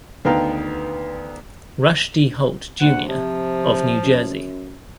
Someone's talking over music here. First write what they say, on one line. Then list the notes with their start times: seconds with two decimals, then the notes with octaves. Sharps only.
Rush D. Holt, Junior of New Jersey.
0.25 D2 D#3 B3 F5 G5 A#5
2.80 D2 F#5
3.08 C3 F3
4.03 F#2